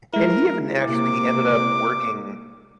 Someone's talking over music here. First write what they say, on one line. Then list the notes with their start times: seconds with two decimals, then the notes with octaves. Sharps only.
and he even actually ended up working
0.13 G#3 E4 A#4
0.84 C3 A#3 D6